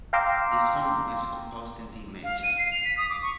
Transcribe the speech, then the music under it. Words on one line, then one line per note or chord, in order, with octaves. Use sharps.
The song is composed in D major.
F5 G5 A#5 C6 D6 E6
F5
D#7
C7
F7
B6
D#6
D6
C#6